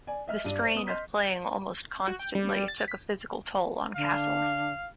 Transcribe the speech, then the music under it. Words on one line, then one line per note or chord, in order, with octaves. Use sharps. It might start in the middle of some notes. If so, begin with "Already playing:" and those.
The strain of playing almost constantly took a physical toll on Casals.
D5 G#5
D#5 E5 F6
G2 D4 D#7
C5 D5
B3 D#6
D#5 C6 F6 G6 B6
F#4
G5
G3
G3
A6
B6
D3 F5